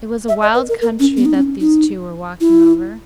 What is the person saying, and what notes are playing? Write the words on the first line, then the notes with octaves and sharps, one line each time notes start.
It was a wild country that these two were walking over.
E5
D#5
B4
A#4
A#4
C#4
B3
D#4
C#4
D#4
E4